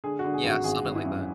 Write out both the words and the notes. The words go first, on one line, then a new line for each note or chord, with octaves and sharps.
Yeah, something like that.
D3 G#4
F#4
D3
G#4
G#1
F#4
G#1 G#4
G#1
E4
F#2